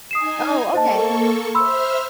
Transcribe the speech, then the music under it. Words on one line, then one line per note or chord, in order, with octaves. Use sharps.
Oh, okay.
D#4 G#5 D#6 C7 E7
A#3 A4 C5 D#5 A5 C#6
C5 E5 B5 C6 E6 F6